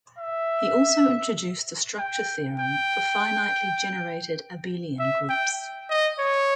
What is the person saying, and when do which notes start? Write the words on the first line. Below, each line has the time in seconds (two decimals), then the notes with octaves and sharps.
He also introduced the structure theorem for finitely-generated abelian groups.
0.18 E5
1.99 G5
2.59 G5
4.99 E5
5.30 G5
5.90 D#5
6.19 C#5